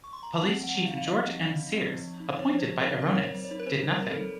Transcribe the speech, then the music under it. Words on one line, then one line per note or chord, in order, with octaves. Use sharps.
Police Chief George M. Sears, appointed by Irones, did nothing.
C#6
C6
A#5
A5
C4 F#5
F3
F#5
F3
F5
D#4
F5
C4 D#5
F3
F3
D#4
C4
F3
F3
D#4
C5
C4 C#5
F3
C5
F3
D#4 A#4
C4 A#4
F#3 C#5
C5
F#3
C#5
D#4
A#4
C4 C5
F#3
A#4
C5
F#3 A#4
D#4 A4